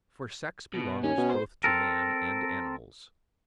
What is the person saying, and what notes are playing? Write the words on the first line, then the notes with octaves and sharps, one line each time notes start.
For sex belongs both to man and animals.
B2
D#2 C#4
B2
C5
C4 A4 A#4